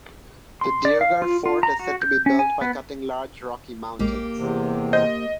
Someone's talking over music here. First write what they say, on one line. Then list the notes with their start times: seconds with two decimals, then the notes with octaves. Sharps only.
The Deogarh fort is said to be built by cutting large rocky mountains.
0.61 C6
0.85 D5
1.01 F5
1.22 F4
1.46 F4
1.63 A#5
1.79 F#4
2.02 G6
2.26 C#4
2.39 G#5
2.61 B3
3.99 A#1 G#3 A#3 G4
4.37 E2 C3
4.93 C5 D#5